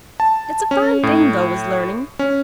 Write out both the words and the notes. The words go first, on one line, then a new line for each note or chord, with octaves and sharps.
'It's a fine thing, tho', is learning.
A5
C#4
A2
C#4